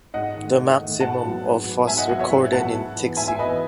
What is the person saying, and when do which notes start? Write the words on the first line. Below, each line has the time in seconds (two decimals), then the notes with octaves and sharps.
The maximum of was recorded in Tiksi.
0.14 G#2 D#5 F#5
0.36 D#3 A3
0.57 G#2
0.80 D#3 A3
1.00 G#2 F#5 A5
1.23 F#3 B3
1.44 G#2
1.65 F#3 B3
1.87 G#2 E5 G#5
1.98 D#5 F#5
2.09 F#3 B3 D#5 F#5
2.19 C#5 E5
2.30 G#2
2.52 F#3 B3 F#5 A5
2.75 G#2
2.96 E3 B3
3.17 G#2 E5 G#5
3.28 E5 G#5
3.38 E3 B3 B4 D#5